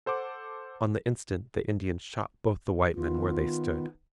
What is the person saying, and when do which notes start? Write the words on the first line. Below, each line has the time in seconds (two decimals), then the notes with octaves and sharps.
On the instant the Indians shot both the white men where they stood.
0.06 A4 C5 F#5 D6
2.95 D#3 B3 F4